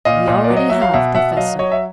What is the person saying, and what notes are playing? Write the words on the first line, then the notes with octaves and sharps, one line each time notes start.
"We already have, professor."
A#2 D#5 F5
A#2
D5
F#3
D#5
F#3 E5
F5
B2 E5 F#5
B2 E5 F#5
E5
F#3 D#5 F5
F#3 C#5 D#5
E5